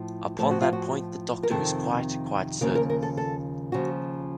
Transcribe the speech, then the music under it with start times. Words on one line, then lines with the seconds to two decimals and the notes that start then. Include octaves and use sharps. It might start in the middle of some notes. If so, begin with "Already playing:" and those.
Upon that point the doctor is quite, quite certain.
Already playing: A2 F3
0.39 A2 F3 A4
0.51 F#4
0.62 F4
0.73 F#4
1.43 A#4
1.50 F2 C3 D#3 A4
2.61 D#2 C#3 F3 A#4
2.75 A#4
2.90 A#4
3.03 A4
3.17 A4
3.72 D#2 C#3 F3 F#4